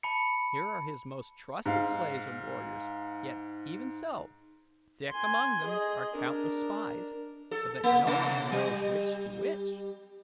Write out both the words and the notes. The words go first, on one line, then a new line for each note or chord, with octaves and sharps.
Here are his most trusted slaves and warriors, yet even so, thick among them are countless spies, so that no man knows which be which.
A5 B5 C#7
G#2 F5
G#5 C6
G#4 D#5
D4 A#4
A4
A#3
C3
G3